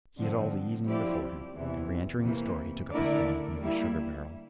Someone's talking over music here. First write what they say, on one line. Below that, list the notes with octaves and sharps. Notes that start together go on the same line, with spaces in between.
He had all the evening before him, and reentering the store, he took up his stand near the sugar barrel.
G2 D3 F3 C4
F3 C4 E4 G4 D5
E2 C3 E3
C3 E3 A#3
D3 A3 E4 A#4 D5
G3 A#3 E4